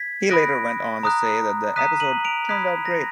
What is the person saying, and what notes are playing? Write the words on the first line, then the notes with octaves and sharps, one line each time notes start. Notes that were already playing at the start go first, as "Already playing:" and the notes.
He later went on to say that the episode "turned out great".
Already playing: G#6 B6
B5 D#6 F#6 A#6 D7
A#5 D#6 F#6
A#5 D#6 F#6 B6 D#7
D#7 F#7
D7 F7
B5 D#6 F#6 G#6 B6
A#6